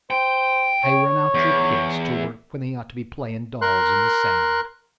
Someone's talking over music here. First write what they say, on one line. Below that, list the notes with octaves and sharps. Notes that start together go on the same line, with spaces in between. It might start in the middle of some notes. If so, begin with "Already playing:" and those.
Hirin' out your kids to work when they ought to be playin' dolls in the sand.
C5 G5
C#5
E2
A#4 C6 F#6